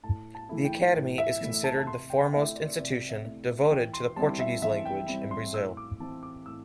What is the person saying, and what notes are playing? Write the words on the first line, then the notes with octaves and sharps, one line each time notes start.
The Academy is considered the foremost institution devoted to the Portuguese language in Brazil.
A2 A5
A5
E3 A3 E4
G5
A2
E5
E3 A3 E4
A5
A5
C3 C6
G5
A3 E4 E5
D5
C3 D5
E5
A3 E4
E3 G5
C6
G3 C4 E4 A5
E5
E3 E5
G5
G3 C4 E4
C6
A2 E6
D6
E3 C4 E4 A5
D6
A2 E6